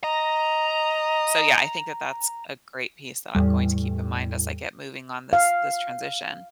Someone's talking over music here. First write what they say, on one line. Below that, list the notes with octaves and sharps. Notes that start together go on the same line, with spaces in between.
so, yeah, I think that that's a great piece that I'm going to keep in mind as I get moving on this this transition.
D#5 A#5
E2 A2 G3
F5